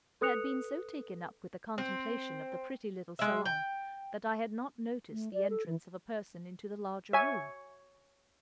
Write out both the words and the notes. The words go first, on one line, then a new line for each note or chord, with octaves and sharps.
I had been so taken up with the contemplation of the pretty little salon that I had not noticed the entrance of a person into the larger room.
A4 B4 D#6 F#6 C#7 F7
C4
G#3 E5
G5
A3
D5
A4
E3
C#5 E5 G#5